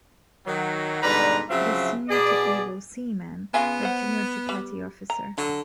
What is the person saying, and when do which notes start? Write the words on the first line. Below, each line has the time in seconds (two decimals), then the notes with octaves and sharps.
It is senior to able seaman but junior to petty officer.
0.46 D#3 F#3
1.02 G#2 B2 D3 G3 B4 A#5
1.49 C#3 F3 F#3 C4 E5
2.09 B2 G#4 D5
3.54 C#3 B3 F4 G#5
3.83 C5 F#5
4.49 G3
5.10 A#5
5.38 D3 F#3